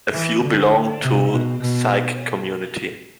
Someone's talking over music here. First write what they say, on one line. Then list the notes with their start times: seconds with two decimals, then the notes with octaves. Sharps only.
A few belong to Sikh community.
0.11 E3
0.42 D3
1.01 C3
1.31 B2
1.61 B2